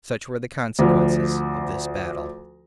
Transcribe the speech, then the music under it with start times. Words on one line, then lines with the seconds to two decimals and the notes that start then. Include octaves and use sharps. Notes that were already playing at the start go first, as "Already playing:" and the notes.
Such were the consequences of this battle.
0.79 D2 F3